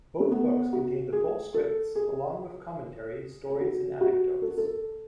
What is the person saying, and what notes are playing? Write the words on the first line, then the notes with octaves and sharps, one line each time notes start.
Both books contain the full scripts along with commentary, stories and anecdotes.
A3
B3
F#4
G#4
A4
G#4
G#4
F#4
F#4
A4
A4